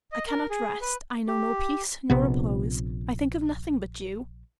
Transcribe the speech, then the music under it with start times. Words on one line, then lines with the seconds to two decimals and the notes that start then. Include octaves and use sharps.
I cannot rest; I know no peace, no repose; I think of nothing but you!
0.12 D#5
0.27 A#4
0.50 G#4
0.81 B4
1.28 G4
2.10 A#1 C3 B3